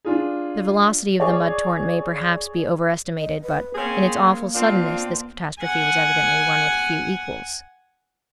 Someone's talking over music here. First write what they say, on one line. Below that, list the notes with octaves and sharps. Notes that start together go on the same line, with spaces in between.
The velocity of the mud torrent may perhaps be overestimated, but in its awful suddenness this catastrophe was evidently one with few equals.
D4 F4 G#4
G#4 C#5 D5
D#5
B4
A#3 C4 C#4 G#4
C4 D4 F4
F#5 G#5